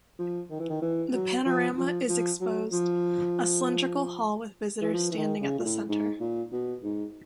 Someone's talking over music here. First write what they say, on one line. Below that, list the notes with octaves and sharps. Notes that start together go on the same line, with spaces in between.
The panorama is exposed a cylindric hall with visitors standing at the center.
F3
D#3
E3
D#3
E3
F#3
F3
F3
F3
F#3
F3
E3
F3
E3
D#3
C#3
A#2
A2
G#2
A#2
B2
G#2